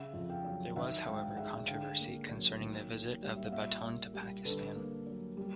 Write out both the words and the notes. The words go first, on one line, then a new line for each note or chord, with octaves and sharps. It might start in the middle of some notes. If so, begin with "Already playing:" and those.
There was however controversy concerning the visit of the Baton to Pakistan.
Already playing: C#3 E5 F#5
F2
F5 G5
F#3
D#3 E5 F#5
G#2 F5 G5
G#3 E5 F#5
D3 F5 G5
A#3
F#3
D#3
A#3
G3
E5
F5
A#2 E5 F#5
A#3
G3
D3 A4 B4
A#3
F#3
G3